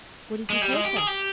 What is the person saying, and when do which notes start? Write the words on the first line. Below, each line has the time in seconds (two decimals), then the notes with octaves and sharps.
'What did you take her?'
0.50 G#3
0.61 G3
0.73 G#3
0.85 G4
0.96 G#4
1.07 G4